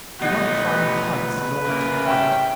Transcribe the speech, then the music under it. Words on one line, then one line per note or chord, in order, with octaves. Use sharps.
Do not climb heights in order to fight.
B2 A3 B3 D#4 G4 F#5
B4
C#3 A#3 E4
G3 C#4 E5 G5